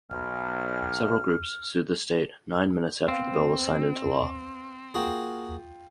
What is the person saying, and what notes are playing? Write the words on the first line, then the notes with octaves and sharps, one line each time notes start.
Several groups sued the state nine minutes after the bill was signed into law.
B1 F6
B3 C4 C5 F5
A#3 F4 F#4 G#4 G5